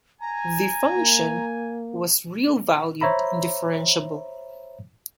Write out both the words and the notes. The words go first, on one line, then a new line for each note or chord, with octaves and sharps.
The function was real-valued and differentiable.
G#5 A#5
A#3
C5 C#5 E5 A#5 B5